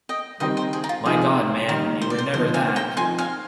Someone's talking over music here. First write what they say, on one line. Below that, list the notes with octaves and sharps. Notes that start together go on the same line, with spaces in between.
My God, man, you were never that.
D#5 G5
D#3 G3 C4 D#4 C5 D#5
C5
G#4
D#4
F4
C3 F3 C4 D#4 G#4
D#3 G3 A#3 D#4 A#4
C5
D5
C5
D3 F3 A#3 D#4 C5
F5 G#5
G5 A#5
F3 C4 D#4 G#5 C6
F5 G#5